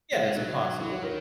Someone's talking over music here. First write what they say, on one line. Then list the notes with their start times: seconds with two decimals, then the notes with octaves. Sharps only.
Yeah, it's impossible.
0.13 G#3
0.36 F#3 D#4
0.80 F#3 E4
0.91 D#4 F#4
1.02 D#3 A#4 C#5